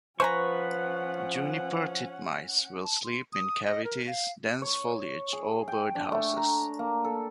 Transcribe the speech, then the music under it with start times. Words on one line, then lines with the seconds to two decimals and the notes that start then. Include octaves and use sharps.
Juniper titmice will sleep in cavities, dense foliage, or birdhouses.
0.20 F3 C#4 B4 C5 F#5 G#5 A#5 C#6
2.84 A5
3.04 C6
3.33 D#6
3.65 D#5
3.84 A#4
4.07 F5
4.62 C#5
5.33 G#4
5.68 G5
5.95 D4
6.12 A3
6.37 A#5
6.79 A#3
7.04 A4